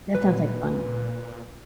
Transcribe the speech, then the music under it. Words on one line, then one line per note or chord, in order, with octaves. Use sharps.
that sounds like fun.
A#2 B4